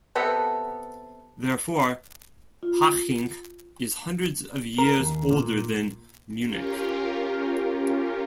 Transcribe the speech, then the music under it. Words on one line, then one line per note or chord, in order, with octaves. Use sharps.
Therefore, Haching is hundreds of years older than Munich.
C3 B3 A4
F4
A#4
D#2
A#2
C#4 F4 G4 A#4